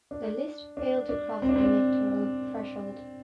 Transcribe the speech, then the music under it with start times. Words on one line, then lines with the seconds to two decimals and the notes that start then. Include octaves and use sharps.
The list failed to cross the electoral threshold.
0.11 D4
0.77 D4
1.09 D4
1.42 C4
1.49 D4
1.56 C4
1.64 D4